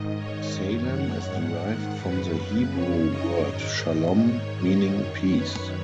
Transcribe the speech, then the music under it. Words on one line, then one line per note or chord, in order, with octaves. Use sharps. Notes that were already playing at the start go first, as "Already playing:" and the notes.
Salem is derived from the Hebrew word "shalom", meaning "peace".
Already playing: G#2 D#3 D#5
C#5
F#2 D#3 C#5
F#5
G#2 D#3
F#2 C#3 B4
B4
F#2 C#3 C#5
D#5
G#2 D#3 D#5
G#2 D#3 C#5
D#5
F#2 D#3 C#5
B4